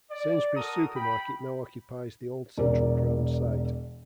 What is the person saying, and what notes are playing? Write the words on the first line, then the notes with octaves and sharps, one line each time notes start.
Sainsbury's Supermarket now occupies the old Central Ground site.
D5
F#4 A4 A#4 A#5 D#6
G5 B5
E1 A#4 D5